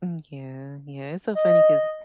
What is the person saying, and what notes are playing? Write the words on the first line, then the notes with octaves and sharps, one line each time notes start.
Mm, yeah, yeah, it's so funny 'cause
D#5